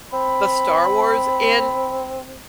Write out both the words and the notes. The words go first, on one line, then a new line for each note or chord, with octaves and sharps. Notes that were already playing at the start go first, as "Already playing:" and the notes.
the Star Wars, and,
C4 B5